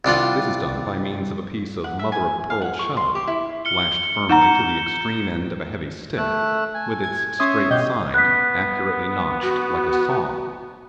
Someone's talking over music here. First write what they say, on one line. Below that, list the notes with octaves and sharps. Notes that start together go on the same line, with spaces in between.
This is done by means of a piece of mother-of-pearl shell, lashed firmly to the extreme end of a heavy stick, with its straight side accurately notched like a saw.
C2 D4 F4 F#5
F#5
E5
G#5
F5
F#5
C#6
C6
G4
E4
F6 C#7 G7
D#4 F#5 A#5 G6 E7
C#7
A3 E6 F#6
G#5
G#6
C#4 C#5 E5 C6 D#6
B2 F#4 G4 D#5 G6
B3 F#6 B6
F#4